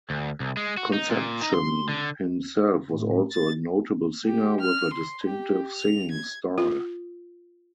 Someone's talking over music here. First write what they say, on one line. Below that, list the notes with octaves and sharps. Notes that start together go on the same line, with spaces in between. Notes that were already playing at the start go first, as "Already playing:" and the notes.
Concepcion himself was also a notable singer, with a distinctive singing style.
D2
C2
G#3
F#4
D#4
A#2
D#4
C6
D3
A2
A6
G4
F6
C6
G4
F7
G#6
F4